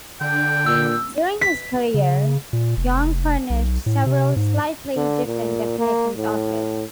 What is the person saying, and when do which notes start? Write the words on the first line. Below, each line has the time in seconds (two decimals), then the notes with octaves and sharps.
During his career, Jung furnished several slightly different definitions of it.
0.21 D3 G5
0.66 A#2 E6
1.41 B6
1.94 C#3
2.53 A#2
2.77 F1
3.50 B1
3.86 A2
4.06 C3
4.36 G#2
4.96 D3
5.26 A#2
5.79 A#3
6.17 A2